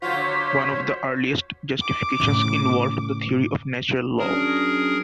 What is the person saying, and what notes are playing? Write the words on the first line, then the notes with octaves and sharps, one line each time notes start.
One of the earliest justifications involved the theory of natural law.
D3 F#3 F4 C5 C#5 B6
D6
A2 C#3
F#3 C#4 D4 G#4 A#4